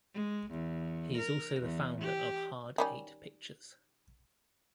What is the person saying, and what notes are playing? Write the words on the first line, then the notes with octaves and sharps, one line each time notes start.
He is also the founder of Hard Eight Pictures.
G#3
E2
A#4
E2
G4
D#3 G3 C#4